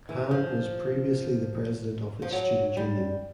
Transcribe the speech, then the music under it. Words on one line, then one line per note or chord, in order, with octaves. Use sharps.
Han was previously the president of its student union.
E3
F3
F3
F#3
G3